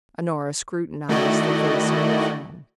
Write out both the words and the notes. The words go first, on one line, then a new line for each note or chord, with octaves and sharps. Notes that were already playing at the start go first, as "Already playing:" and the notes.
Honora scrutinized the face of her friend.
D#3 A3 E4 F#4 D5 D#5